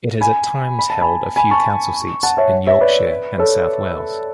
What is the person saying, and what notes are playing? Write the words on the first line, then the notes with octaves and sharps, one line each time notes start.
It has at times held a few council seats in Yorkshire and South Wales.
G#5 B5
B5
A5
G#5 B5
G#5 B5
A5 C#6
F#5 A5
C#5 E5
C#5 E5
B4 D5
A4 C#5